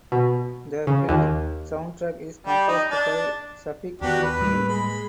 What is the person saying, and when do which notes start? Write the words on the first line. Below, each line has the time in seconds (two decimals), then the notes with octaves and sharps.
The film soundtrack is composed by Shafiq Tuhin.
0.12 B2
0.87 C#3
1.09 D#2
2.47 G3
2.68 D#4
2.91 D4
4.02 D#2 B3 D4 F#4 G4
4.23 B4
4.40 A2 G3 A#3
4.68 G#3 B5